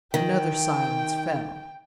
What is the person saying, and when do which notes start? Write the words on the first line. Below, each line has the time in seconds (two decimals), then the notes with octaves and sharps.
Another silence fell.
0.14 D#3 G5